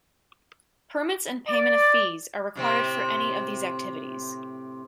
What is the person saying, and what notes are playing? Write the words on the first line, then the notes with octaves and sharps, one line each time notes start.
Permits and payment of fees are required for any of these activities.
D5
A2 C3 C4